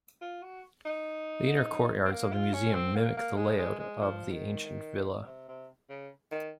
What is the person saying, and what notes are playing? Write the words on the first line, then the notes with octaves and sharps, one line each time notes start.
The inner courtyards of the museum mimic the layout of the ancient villa.
F4
F#4
D#4
C4
A#3
F4
C#4
C4
A#3
A#3
G#3
G#3
G#3
F3
D#3
C3
C3
C#3
D#3